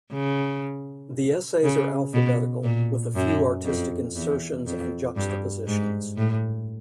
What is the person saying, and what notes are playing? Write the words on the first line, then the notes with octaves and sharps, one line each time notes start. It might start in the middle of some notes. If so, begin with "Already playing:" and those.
The essays are alphabetical, with a few artistic insertions and juxtapositions.
C#3
C#3
B2
A#2
F#2
F2
E2
F2
G2
G#2
A2